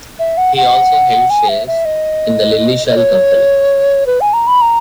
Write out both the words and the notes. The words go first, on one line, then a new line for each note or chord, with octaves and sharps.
He also held shares in the Lilleshall Company.
E5
F#5
F#5
G#5
E5
E5
D#5
D#5
C#5
B4
G#5
A#5
B5
A#5